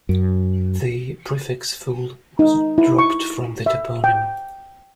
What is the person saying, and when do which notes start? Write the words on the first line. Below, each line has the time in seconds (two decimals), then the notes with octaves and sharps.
The prefix "ful-" was dropped from the toponym.
0.09 F#2
2.39 D#4
2.78 E4
2.99 C#6
3.66 E5
4.04 G5